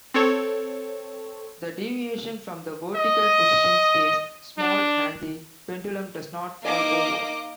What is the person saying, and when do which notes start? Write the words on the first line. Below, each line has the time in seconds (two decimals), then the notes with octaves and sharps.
The deviation from the vertical position stays small, and the pendulum doesn't fall over.
0.14 C4 A4 C#5
2.96 D#5
4.58 D4
6.64 A#3 D#4 D#5 D6